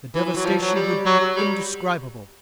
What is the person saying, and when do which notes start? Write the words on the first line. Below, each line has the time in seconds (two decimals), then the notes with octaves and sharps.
The devastation would be indescribable.
0.15 E3
0.25 E3
0.36 F#3
0.45 F3
0.61 F#3
0.75 G3
1.05 F#3
1.20 F#3
1.36 G3